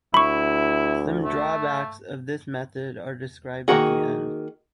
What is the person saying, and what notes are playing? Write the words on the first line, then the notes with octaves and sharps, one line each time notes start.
Some drawbacks of this method are described at the end.
D2 E4 B5 C#6
A3
D#3 A#3 F#4 G#4